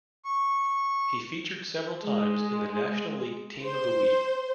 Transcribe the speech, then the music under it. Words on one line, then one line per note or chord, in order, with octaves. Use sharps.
He featured several times in the National League Team of the Week.
C#6
G#3
C5